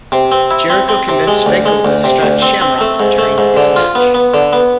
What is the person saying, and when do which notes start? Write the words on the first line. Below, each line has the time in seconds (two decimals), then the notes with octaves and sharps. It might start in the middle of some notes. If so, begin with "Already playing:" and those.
Jericho convinced Finkel to distract Shamrock during his match.
0.12 C3
0.32 C4
0.51 E4
0.70 C4
0.89 C4
1.09 C3
1.27 G#3
1.46 D2
1.66 G#3
1.85 D2
2.04 C3
2.23 D2
2.42 C4
2.61 C4
2.81 A3
3.00 G#2
3.18 A3
3.38 G#2
3.57 D3
3.76 F4
3.95 B3
4.14 B3
4.34 D3
4.53 B3